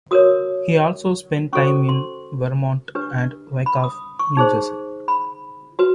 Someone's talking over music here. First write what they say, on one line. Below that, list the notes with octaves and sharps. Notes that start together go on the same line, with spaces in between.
He also spent time in Vermont and in Wyckoff, New Jersey.
F#4 A#4 C#5 D#6
C#4 F#4 A4 C5 C#6
C6
D4 G4 B4
B5
D#6
C#6
D#4 G#4 C5
B5
F#4 B4